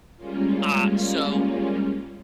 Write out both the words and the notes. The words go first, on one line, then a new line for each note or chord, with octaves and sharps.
Ah, so,
G3 G#3 A#3 C#4 F4